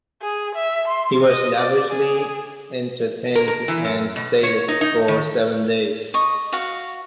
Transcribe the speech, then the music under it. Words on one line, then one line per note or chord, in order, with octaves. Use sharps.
He was lavishly entertained and stayed for seven days.
G#4
E5
C6
D#5
D5
G#4
A#4
A#4
E3
F#2
B2
C#5
D#4
D#4
D#3
D#5 C#6
F#4 F5